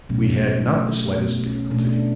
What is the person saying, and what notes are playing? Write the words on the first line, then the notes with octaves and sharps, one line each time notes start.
"We had not the slightest difficulty."
B2 F#3 A3 C#4
B2 F#3 A3
B2 A3 B3
C#4
B2 A3 D4
D4